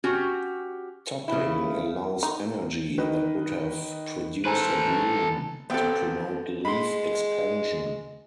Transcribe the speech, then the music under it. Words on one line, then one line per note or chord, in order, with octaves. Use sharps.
Topping allows energy that would have produced a bloom to promote leaf expansion.
C#4 F#4 G4
C#3 E4
D#4
D#3 B4 D#5
A4 B4 C5 G#5 A#5
A1 B3 C4 A4 G5
G#3 B5 C6